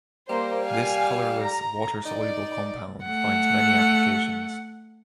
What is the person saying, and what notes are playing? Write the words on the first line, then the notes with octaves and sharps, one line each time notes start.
This colorless, water-soluble compound finds many applications.
G3 A#3 C5
F5 G#5
A#5
D#4 D5
A3 F#5